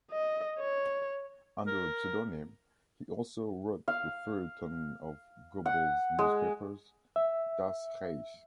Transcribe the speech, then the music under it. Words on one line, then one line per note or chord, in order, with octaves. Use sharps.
Under a pseudonym he also wrote the Feuilleton of Goebbels newspapers “Das Reich”.
D#5
C#5
A#4
F5
F#5
G#3
E5